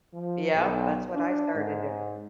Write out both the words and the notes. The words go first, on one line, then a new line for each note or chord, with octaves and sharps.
Yup, that's what I started to
F3
B1
D4
G#2